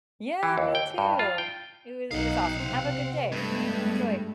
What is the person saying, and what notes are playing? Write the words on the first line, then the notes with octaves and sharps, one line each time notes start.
Yeah, me too. It wa it was awesome. Have a good day. Enjoy.
E3
D#2
G5
G2
F4
G5
B1 B2 D#4 F5 F#5
C3 C4
G2 G#3 A3 B3 G#6